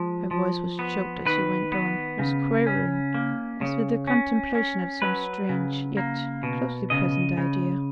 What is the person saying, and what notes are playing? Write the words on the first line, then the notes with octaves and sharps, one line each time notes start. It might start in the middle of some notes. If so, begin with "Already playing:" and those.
Her voice was choked as she went on--was quavering as with the contemplation of some strange, yet closely-present idea.
Already playing: F3 G#3
F3
B3
D#3 B4
B3
C#3
C#4
A#3
C#3
C#4
C#4
F#3 B4
C#3
A#3
B2
C#3 D#5
C#3